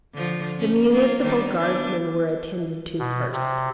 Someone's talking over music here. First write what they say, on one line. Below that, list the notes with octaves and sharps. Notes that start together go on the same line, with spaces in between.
The municipal guardsmen were attended to first.
D3 F3
C#4
A#3 F4
D#3 G3 D4
B3 D4
B2
C3